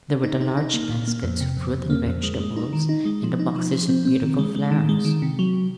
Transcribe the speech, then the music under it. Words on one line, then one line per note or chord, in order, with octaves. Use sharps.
There were the large baskets of fruit and vegetables, and the boxes of beautiful flowers.
D#4
D#4
D#4
A#3
A#2
A#3
F2
C3
F2
F2
A#3
F2
G#3
G#3
D#4
D#3
D#4
G#3
F3
D#4
F3
F3
C4
C4
D#3
G#3
G#3
D#3
G#3
D#3
C3
F#3